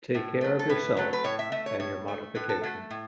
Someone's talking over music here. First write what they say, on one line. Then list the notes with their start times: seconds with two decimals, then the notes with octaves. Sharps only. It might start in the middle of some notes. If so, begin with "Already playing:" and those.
Take care of yourself and your modifications.
0.14 A2
0.41 F#3 A3
0.59 A4
0.69 A2 B4
0.97 F#3 A3
1.13 B4
1.24 A2 C#5
1.39 E5
1.52 A3 E5
1.66 C#5
1.80 A2 C#5
2.08 A3
2.35 A2 B4
2.49 A4
2.63 A3 F#4
2.90 A2